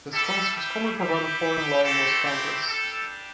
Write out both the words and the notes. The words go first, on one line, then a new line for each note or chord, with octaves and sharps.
This concept is commonly provided for in law in most countries.
G3 E4 G4 A4
G4
G3 E4 G4
A3 C4 E4 G4 A4
G4
G3 D4 G4 A4